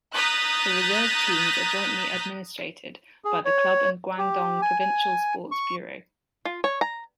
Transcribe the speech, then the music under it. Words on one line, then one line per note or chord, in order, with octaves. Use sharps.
The reserve teams are jointly-administrated by the club and Guangdong Provincial Sports Bureau.
A#5 D#6 F#6 G6 A6 B6
G#4
C#5
G4
G#5
G#5
C#6
F4
C#5
A#5